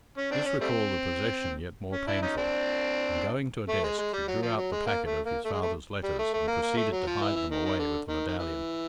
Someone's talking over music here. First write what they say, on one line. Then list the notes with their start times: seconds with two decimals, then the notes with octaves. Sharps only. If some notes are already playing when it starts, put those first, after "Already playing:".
This recalled a possession yet more painful, and going to a desk, he drew out the packet of his father's letters and proceeded to hide them away with the medallion.
0.18 C#4
0.31 C4 D4
0.46 C#4
0.61 G3 A3 C4
1.93 C#4
2.07 D4 E4
2.22 C#4 D#4
2.37 C4 D4
3.69 A3
3.84 G#3
3.99 G#3
4.13 G3
4.28 F#3
4.42 F3
4.57 F#3
4.72 G#3
4.86 A#3
5.06 A3
5.25 A#3
5.45 A3
5.53 G#3
5.62 A3
6.03 G3
6.18 A3
6.34 A3
6.47 A#3
6.63 A#3
6.77 A3
6.92 F#3
7.07 F3
7.22 E3
7.36 E3
7.51 D#3
7.65 D#3
7.79 D3
8.09 D#3
8.27 D#3
8.38 E3